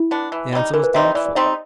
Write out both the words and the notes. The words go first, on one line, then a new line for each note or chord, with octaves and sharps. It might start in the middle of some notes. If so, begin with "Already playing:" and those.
The answer was doubtful.
Already playing: E4
B3 D4
E3
G3 C4 D#4
E3 A#4
B4
G3 C4 D#4 E5
D#5
E3 D5
D5
G3 C4 D#4 D#5
D#5